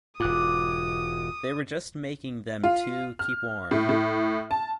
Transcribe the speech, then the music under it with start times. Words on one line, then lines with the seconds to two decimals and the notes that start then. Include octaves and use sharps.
They were just making them to keep warm.
0.20 E1 G#2 F4 G#5 D6 D#6 F#6
2.64 F4
3.19 F6
3.71 A2
3.89 A2
4.51 A5